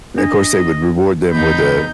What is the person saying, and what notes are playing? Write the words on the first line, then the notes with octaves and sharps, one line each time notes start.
of course, they would reward them with a
D4 D#5
E2 D#4 B5 G6